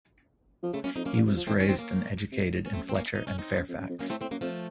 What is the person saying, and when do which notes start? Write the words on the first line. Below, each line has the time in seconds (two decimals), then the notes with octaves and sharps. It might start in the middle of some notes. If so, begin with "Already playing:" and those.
He was raised and educated in Fletcher and Fairfax.
0.63 F3
0.73 C#3 A3 C4
0.84 F#2 A#3 C#4
0.95 F2 D#4
1.05 F#2 A#3 C#4
1.16 A#2
1.27 C3
1.37 F3
1.47 D#3 A3 C4
1.60 C#4
1.69 C4 D#4
1.79 A#3 C#4
2.32 C3
2.48 A#2
2.52 A2
2.66 C#4
2.73 F#2 A3 C4
2.89 C4
2.94 A#3 C#4
3.15 D#4
3.27 C#4
3.38 C4 D#4
3.58 F#2
3.68 F2
3.79 F#2
3.89 F2
3.99 F#2 A#3 C#4
4.10 A2 A3 C4
4.21 A2 A3 C4
4.31 F#2 F#3 A#3
4.41 F2 F3 A3